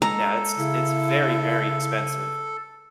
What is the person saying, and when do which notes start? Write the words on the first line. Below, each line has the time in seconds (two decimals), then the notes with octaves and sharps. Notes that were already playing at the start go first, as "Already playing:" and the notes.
Yeah, it's it's very, very expensive.
0.02 G#3 A4 A#5
0.58 C#3 E4